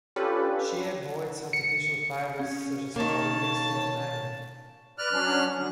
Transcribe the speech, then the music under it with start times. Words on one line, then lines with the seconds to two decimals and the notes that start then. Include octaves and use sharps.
She avoids artificial fibres such as polyester or nylon.
0.16 C#4 D4 F4 G4 A4 B4
1.53 C#7
2.39 C#4
2.96 B2 D#3 A#3 C#5 A5
4.98 B4 D5 F6 F#6
5.12 F#3 C#4 D4
5.58 D3 F#3